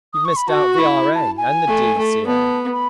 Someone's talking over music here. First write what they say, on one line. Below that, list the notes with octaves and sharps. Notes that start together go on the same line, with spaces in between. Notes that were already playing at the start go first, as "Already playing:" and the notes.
"You've missed out the R.A., and the D.C.L."
D#6
C#6
B5
F#4 A5
C#6
E4
A5
G#5
A3
A3
B3 A5
B5